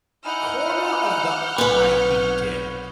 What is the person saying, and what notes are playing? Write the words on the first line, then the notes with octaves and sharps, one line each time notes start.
Corner of the eye, he did
D#4 E4 F#5 G#5 F6 G6
B1 C3 B3 B4 C#5